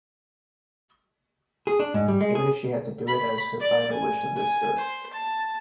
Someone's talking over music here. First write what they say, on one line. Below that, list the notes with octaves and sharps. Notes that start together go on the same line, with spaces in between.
Even if she had to do it as her final wish on this earth.
G#4
D4
G#2
G3
G#3
G#4
B5
D5
G#5
G#5
C5
A5